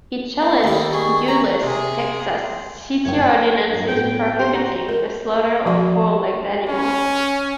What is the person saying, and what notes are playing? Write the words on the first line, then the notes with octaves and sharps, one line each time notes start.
He challenged Euless, Texas city ordinances prohibiting the slaughter of four-legged animals.
A#3
D#2 G3
G#4 C#6
A#5
C3 G#4
F#1 G2 C#5 G5
A5
G2 F#3
A2 B3 C4 G5
G4 C5
F#4 A#5
A#4
F3 F#4 D5
C#4